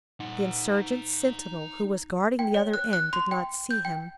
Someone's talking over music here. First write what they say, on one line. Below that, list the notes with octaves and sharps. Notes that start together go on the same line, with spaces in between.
The insurgents' sentinel, who was guarding the other end, did not see him.
D#4 F#5
G5
C#5
F#6
F#6
C6
G5
G6
G5